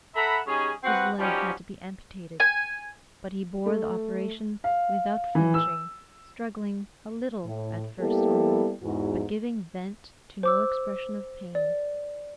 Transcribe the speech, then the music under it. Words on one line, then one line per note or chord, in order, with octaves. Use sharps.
His leg had to be amputated; but he bore the operation without flinching, struggling a little at first only, but giving vent to no expression of pain.
A4 E5 F#5 A#5 B5
G3 C#4 D#4 G#4
C4 F#4 B4 F#5
F3 G3 C#4 D#4 F#4 G4
G#5
A3
F5
E3
E6
A2
G3 A#3 B3 E4 G4 A4
E2 G#2 F#4
C5 D6 E6
D5